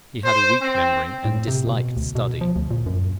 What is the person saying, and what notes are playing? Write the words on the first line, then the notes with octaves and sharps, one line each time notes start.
He had a weak memory, and disliked study.
C5
C4
A2
C3
B2
D2
B2
F3
D2
A#2
F#2